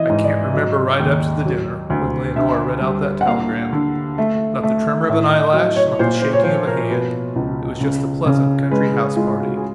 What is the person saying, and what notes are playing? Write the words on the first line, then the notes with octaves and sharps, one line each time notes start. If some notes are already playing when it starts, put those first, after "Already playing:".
I can't remember, right up to the dinner, when Leonora read out that telegram--not the tremor of an eyelash, not the shaking of a hand. It was just a pleasant country house-party.
Already playing: E3 D#5
G#2
D5
F#3 D#5
D#2
F#3
D2
D3 E5
G3
F#5
A#3 F5
D3
A3
A3
A2 E5
D#5
F#3 D#5
C#5
A#2 C5
C5
C#5
F3 C5
A#4
B2 B4
C#2
C#3
C#3
G#3 B4
G#4
G#3 F4
F#4
G#4